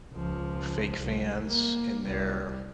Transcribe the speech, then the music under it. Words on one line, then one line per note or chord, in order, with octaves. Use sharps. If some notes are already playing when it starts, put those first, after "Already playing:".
fake fans in their
C#2 F3
C2
A#3
C2 G3